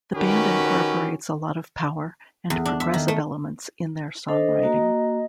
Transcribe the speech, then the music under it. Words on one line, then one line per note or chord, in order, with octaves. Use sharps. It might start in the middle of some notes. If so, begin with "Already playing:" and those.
The band incorporates a lot of power and progressive elements in their songwriting.
D#3 C#4 F#4 G4 B4
E2
D4
E5
D#3
A3
D4 A4 C5 D#5
A#3 F#4 A#5